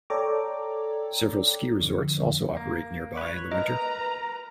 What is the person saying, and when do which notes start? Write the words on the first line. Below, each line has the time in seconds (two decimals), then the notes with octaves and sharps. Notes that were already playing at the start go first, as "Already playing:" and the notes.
Several ski resorts also operate nearby in the winter.
0.10 A4 C#5 D5 G5 A#5 D6
1.80 F2 D3
2.57 A#3
3.17 B4 C#5
3.52 A#4 B4 D#5 A#5